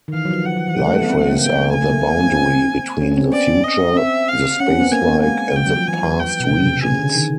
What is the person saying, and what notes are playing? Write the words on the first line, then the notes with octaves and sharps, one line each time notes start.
Light rays are the boundary between the future, the spacelike, and the past regions.
D#3
E3 F5
F#3
F3
F#3 F#5
F3
E3
G3
A3
G#3
B3
C4
B3
A#3
G5
A3 G#5
A#3
C4
C#4
C#4
C4
B3 D5
D#5
C4 E5
F5
C#4 F#5
C4
B3
A#3 G#5
B3
A#3
G#3 G#5
G5
F#3
F3
E3 G#5
G5
B2
C3
C#3
C3
C#3 G#5
D3
D#3